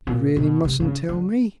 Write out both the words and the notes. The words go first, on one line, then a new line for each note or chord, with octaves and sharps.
"You really mustn't tell me?"
A#2
B2
C3
C#3
D3